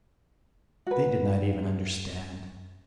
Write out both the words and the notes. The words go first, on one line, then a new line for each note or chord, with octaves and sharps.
They did not even understand.
F#4 B4